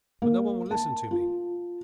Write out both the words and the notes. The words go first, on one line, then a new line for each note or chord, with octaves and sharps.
But no one will listen to me.
A#3
A5
F4